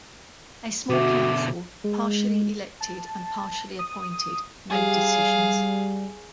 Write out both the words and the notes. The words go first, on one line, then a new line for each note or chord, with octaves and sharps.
A small council, partially elected and partially appointed, made decisions.
B2 D3 F#4 E5 D6
G#3
A5
D#6
G3 G#4 F5